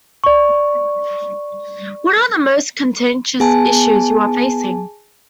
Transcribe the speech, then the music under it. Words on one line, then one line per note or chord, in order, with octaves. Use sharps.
What are the most contentious issues you are facing?
D5 C#6
B3 G#4 G#5 A5